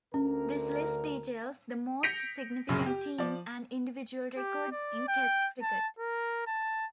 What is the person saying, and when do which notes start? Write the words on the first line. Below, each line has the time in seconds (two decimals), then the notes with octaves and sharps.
This list details the most significant team and individual records in Test cricket.
0.14 D2 D3 C#4 A#4
2.03 G6 A#6 B6 C#7 D7 F7
2.69 A#1 F#2 C#3
2.86 G4
3.18 F3 D5
4.37 G4
4.72 D5
5.08 G5
5.62 A5
5.99 A#4
6.47 A5